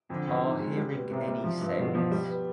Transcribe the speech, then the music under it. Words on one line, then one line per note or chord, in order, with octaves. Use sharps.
Are hearing any sounds?
F2 D3
F2
D#3
G#3
G3
B2
C2 C3
G3
F3
G2
G2 B2
F3
G3
B3